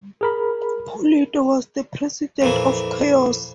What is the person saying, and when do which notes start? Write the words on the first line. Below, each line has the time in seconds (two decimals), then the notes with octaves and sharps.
Pulido was the president of Chaos!
0.21 G#4 A#4 B5
2.42 F2 A#2 E3